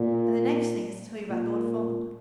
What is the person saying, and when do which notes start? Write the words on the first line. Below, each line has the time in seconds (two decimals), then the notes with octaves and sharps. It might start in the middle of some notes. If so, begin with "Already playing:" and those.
"And the next thing is to tell you about Lord Fawn."
Already playing: A#2
1.29 A#2